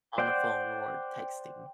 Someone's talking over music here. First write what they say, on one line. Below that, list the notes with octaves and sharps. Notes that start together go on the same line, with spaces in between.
on a phone or texting.
C5 D5 F#5 G5